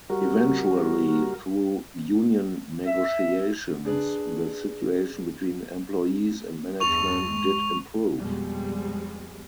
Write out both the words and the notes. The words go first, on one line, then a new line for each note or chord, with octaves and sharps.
Eventually, through union negotiations, the situation between employees and management did improve.
G3 F#4 A#4
E5
D4 G#4 B4
E2 G2 A4 C#6 F7
G#3
F2 B2 G3 G#3